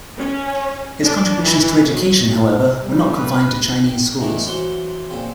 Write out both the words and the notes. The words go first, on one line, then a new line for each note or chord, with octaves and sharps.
His contributions to education, however, were not confined to Chinese schools.
C#4
D4
E3
F#3
G3
B4
G5
C2 A2 D#3 E3 B3 A#4
E3 F#3 F#4 C5 C6
A#2 C#3 C4